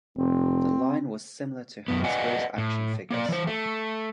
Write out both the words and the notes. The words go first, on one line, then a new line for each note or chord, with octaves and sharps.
The line was similar to Hasbro's action figures.
F1 C4
F#2 B3
B4 D5 D#5 F#5 G#5
A2
A#3 D5
E3 C5
A3